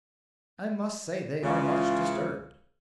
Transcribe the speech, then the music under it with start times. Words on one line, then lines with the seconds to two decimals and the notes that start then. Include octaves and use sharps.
"I must say they are much disturbed."
1.43 C#2 C#3 E3 F4